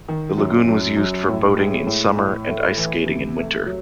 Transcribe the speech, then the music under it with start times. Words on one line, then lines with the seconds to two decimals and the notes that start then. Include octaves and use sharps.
The lagoon was used for boating in summer and ice skating in winter.
0.08 D#3
0.38 F#2
0.67 F#2
0.97 F#2
1.28 A2
1.57 G#3
1.87 A2
2.17 A2
2.47 A3
2.77 E3
3.06 C3
3.37 A3
3.66 F#3